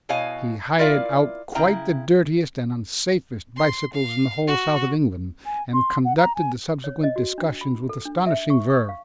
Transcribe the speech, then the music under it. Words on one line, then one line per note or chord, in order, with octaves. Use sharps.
He hired out quite the dirtiest and unsafest bicycles in the whole south of England, and conducted the subsequent discussions with astonishing verve.
B2 E4 C#5 D#5 F5 G#5
E4 F4 A#4 D5 E5 F5
C#3 E4 G5 A#5
C6
F5
F#4
G#5
C6
F#5
A#5
G#5
C#5
D#5
F#4
D4
B5
A4
D4
E5
C#6
C#6
F5